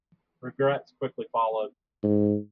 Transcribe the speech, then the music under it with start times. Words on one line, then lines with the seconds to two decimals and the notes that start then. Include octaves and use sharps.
Regrets quickly followed.
2.03 G#2